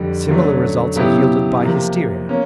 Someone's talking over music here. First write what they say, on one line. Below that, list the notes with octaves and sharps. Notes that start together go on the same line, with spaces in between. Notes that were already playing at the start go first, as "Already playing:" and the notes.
Similar results are yielded by hysteria.
Already playing: F2 D3 G3
D3 F#3 A3 C#4
C#3 F#3 B3 E4 G4
C3 F3 A#3
A#3 C#4